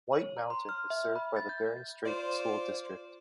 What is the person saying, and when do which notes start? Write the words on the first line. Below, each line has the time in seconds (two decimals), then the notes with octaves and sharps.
White Mountain is served by the Bering Strait School District.
0.13 C#5
0.37 A#5
0.50 C6
0.69 F6
0.90 E5
1.16 B5
1.36 A6
1.49 G6
2.06 F4 C5 D5